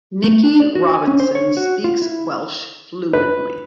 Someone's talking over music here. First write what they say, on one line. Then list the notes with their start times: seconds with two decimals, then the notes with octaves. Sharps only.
Nicky Robinson speaks Welsh fluently.
0.24 A3
0.44 D4
0.60 D5
0.75 F#4
0.94 G#5
1.08 C#4
1.20 C5
1.35 C#5
1.57 F#4
1.84 F4
2.02 E4
3.13 B4